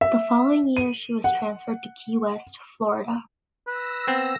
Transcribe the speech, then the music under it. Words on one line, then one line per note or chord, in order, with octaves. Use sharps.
The following year she was transferred to Key West, Florida.
E5
D#7
F#5
B4 E6 A#6
B3 C4